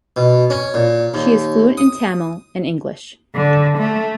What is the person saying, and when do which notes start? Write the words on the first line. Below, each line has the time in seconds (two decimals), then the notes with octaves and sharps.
She is fluent in Tamil and English.
0.17 B2
0.50 C#4
0.74 A#2
1.14 D#2
1.78 D#6
3.35 D3
3.78 A3